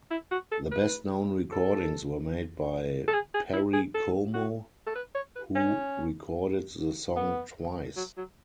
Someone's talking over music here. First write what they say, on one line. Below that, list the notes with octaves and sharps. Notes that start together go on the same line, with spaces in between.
The best-known recordings were made by Perry Como, who recorded the song twice.
E4
F#4
A4
B4
A4
A4
G#4
G#4
E4
G#4
A4
F#4
A4
B4
C#5
B4
C#4
B3
F#3
F#3